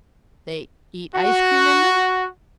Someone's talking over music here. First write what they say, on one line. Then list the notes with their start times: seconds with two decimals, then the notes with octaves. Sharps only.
"They eat ice-cream in them?"
1.16 F#4